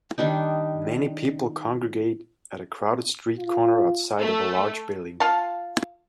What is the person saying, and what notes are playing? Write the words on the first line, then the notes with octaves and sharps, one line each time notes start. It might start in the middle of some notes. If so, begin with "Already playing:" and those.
Many people congregate at a crowded street corner outside of a large building.
D#3 G3 D4 D#4
F4
A3
F4 F5 A5